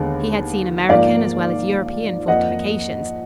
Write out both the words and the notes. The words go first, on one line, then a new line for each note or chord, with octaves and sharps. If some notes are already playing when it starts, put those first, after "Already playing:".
He had seen American as well as European fortifications.
Already playing: D#2 D3 G#3 B3
G#2 F3 A#3 D5 F5
F2 F3 A#3 D#5 F#5